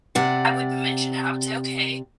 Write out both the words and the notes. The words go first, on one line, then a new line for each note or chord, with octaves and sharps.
I would mention it," I would say, "Okay,
C3 D5 F#5